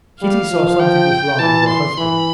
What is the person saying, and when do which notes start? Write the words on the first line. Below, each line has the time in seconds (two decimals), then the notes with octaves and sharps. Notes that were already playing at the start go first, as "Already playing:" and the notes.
Kitty saw something was wrong with her husband.
0.21 G3 F5
0.51 F3
0.80 G5
1.39 E3 A5
1.69 C6
1.98 E3 B5